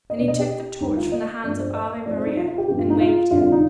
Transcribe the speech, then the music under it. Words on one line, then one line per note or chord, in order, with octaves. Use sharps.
Then he took the torch from the hands of Ave Maria, and waved it.
D#5
B2 B3 D4 D5
D#5
G4
D2 D3 G3 D#4
F4
D#5
G2 F3 B3 D4 D5
C5
D#5
D#5
G#2 F3 C4 D5
C5
D#4
F4
F4
G4
G2 F3 B3 D4 G4
F4
D#4
F4
F2 D3 G3 D4 F4
F4
D#4